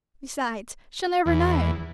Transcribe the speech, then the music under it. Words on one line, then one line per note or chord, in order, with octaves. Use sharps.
Besides, she'll never know.
E2